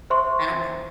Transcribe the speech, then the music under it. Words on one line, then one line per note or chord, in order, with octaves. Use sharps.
I don't know.
C5 E5 C6 C#6